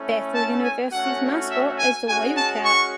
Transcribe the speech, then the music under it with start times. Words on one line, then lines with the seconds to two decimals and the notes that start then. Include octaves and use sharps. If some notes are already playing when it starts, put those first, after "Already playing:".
Bethel University's mascot is the Wildcat.
Already playing: A3 C#4 E4
0.33 A5
0.61 G#5
0.91 A3 C#4 F#4 F#5
1.49 E5
1.78 G#5
2.06 G#3 C#4 F#4 G#5
2.36 A5
2.65 C#6